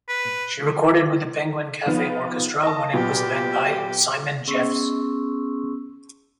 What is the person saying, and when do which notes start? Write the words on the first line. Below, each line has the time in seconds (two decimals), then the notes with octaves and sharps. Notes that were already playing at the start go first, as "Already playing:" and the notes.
She recorded with the Penguin Cafe Orchestra when it was led by Simon Jeffes.
0.09 B4
1.86 D#3 F3 B3
2.63 D#5 A5
2.93 A#2 F#3 B3 G4
4.47 B3 C#4 G#4 C6 C#6 E6